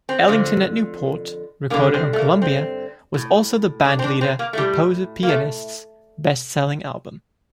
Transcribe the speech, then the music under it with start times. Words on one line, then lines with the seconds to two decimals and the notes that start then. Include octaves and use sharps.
Ellington at Newport, recorded on Columbia, was also the bandleader-composer-pianist's best-selling album.
0.09 C4
0.28 F2 D3
1.70 G2 A#3
1.74 D3
1.94 C4
2.13 A3
2.18 A#3
2.42 C4
3.14 A2
3.85 D4
3.99 C4
4.04 D4
4.21 C4
4.39 A#3
4.53 A3
4.57 A2 G3
5.23 A#3
5.29 A3